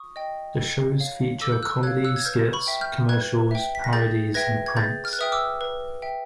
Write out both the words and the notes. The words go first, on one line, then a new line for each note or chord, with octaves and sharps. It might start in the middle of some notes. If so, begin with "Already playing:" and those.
The shows feature comedy skits, commercials, parodies, and pranks.
Already playing: C#6 D#6
D#5 G5
A4
C#5 F5
A4 D6 E6
G6
E6 F#6
C#5 F5 F#6 G#6
E6 F#6
G#6
B4 F6 G6
B5 C#6
E5 G5
F6 G6
B4 F#6 G#6
E5 G5
B6
A#6
G#4 G6 A6
B4 E5 G5 G#6 A#6
G#6
G#4 G6 A6
F6
F#6
B4 E5 G5 D#6 F6
D6 E6
B4
E5 G5